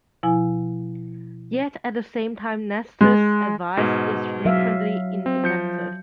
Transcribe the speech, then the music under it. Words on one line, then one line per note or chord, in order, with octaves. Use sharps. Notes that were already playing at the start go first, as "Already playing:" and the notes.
Yet at the same time Nestor's advice is frequently ineffective.
B2 F3 E4 G#5
G#3
G#2 B2
F#3 E5 F5
C4
F3 G6 C#7